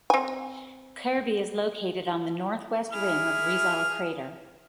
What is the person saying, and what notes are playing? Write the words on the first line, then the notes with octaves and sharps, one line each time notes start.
Kirby is located on the northwest rim of Rizal crater.
C4 G#5
E4 G#4 F6